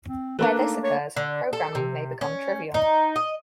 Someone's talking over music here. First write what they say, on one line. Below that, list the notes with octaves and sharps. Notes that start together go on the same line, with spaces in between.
Where this occurs, programming may become trivial.
C4
A3 A#3 D4 B4
D#4
C#5
D3
A4
C3
C#4
D#4
D#5